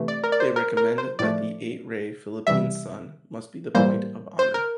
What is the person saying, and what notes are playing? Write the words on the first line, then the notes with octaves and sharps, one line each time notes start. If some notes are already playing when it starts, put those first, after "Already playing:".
They recommended that the eight-ray Philippine sun must be the point of honor.
Already playing: C3 E3 A3
D5
A#4
D5
C5
A#4
A#4
C5
A2 F3 A3 D5
C3 E3 G3 E5
A2 E3 G3 A#3 C5
C5
A#4